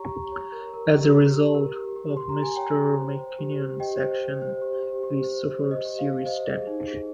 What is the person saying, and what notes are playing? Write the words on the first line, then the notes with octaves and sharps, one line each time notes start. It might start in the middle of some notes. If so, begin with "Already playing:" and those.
As a result of Mr McKinnon's actions, we suffered serious damage.
Already playing: G4 C#5 A#5 C#6
G4
C#5
A#4
A#4
G4
G4
G4
A#4
G4
G4
G4 C6
A#5
G4
G#5
C#5 G5 A#5
G4
C5
C5
G4
G4
G4 D#5 G5
C5
C5
C5
G4
G4
G4
C5
C5
C5
D#5
G4
F5
C5
C5 D#5
G#4
D#4
G#4